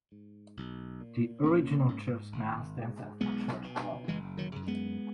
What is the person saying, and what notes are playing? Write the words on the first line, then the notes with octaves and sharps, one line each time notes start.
The original church now stands as the church hall.
G#2
B1
A#2
A#1 A#3 C#4
G#2
G#1
G#2
B1 G#3 B3
B2
F#1 E3 G#3
D#3 F#3
F#2 C#3
G#3 B3